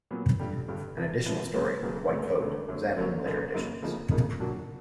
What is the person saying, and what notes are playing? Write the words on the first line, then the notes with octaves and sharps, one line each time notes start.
An additional story, "The White Boat", was added in later editions.
A#2 F#3 B3
G1 G2 D3 G3
G1 G2 D3 G3
C2 C3 F3
C2 C3 F3
E1 D#2 C#3 F#3
E1 D#2 C#3 F#3
E1 D2 D3
E1 D2 D3
F#2 D3 F#3 A#3 C#4
F#2 D3 F#3 A#3 C#4
F#2 C#3 F#3 A#3 D#4
F#2 C#3 F#3 A#3 D#4
D2 C#3 F3 A#3 D#4
D2 C#3 F3 A#3 D#4
A#2 F#3 A#3 D4 F#4